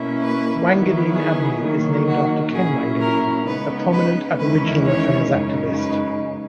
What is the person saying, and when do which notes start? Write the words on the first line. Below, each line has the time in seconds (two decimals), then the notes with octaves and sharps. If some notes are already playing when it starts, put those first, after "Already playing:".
Wanganeen Avenue is named after Ken Wanganeen a prominent Aboriginal Affairs activist.
Already playing: B2 A#3 C#4 E4
0.22 B4
0.69 D#3 F#3 B3 E4
1.15 G#4
1.60 D#3 F#3 A#3
2.07 F#4
2.53 A#2 F#3 C#4 E4 G#4
3.00 A#4
3.46 C#3 G#3 B3 D#4 B4
3.91 B4
4.38 E2 D#3 G#3 C#4 E4 B4
4.85 C#5
5.31 F#2 C#3 G#3 D#4
5.77 B4